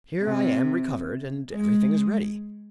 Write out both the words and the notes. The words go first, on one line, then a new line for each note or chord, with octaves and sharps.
"Here I am recovered and everything is ready."
C3
G#3